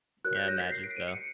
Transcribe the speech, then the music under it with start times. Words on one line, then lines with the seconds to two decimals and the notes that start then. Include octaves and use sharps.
Yeah, I imagine so.
0.24 F#4 A#4 C#5 F#6
0.36 G6
0.48 A#6
0.60 B6
0.72 C7
0.84 D7
0.96 D#7
1.08 C#7